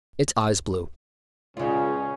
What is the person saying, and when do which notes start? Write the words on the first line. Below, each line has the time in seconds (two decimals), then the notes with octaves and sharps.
Its eyes blue.
1.57 C#2 C#3 C#4 F4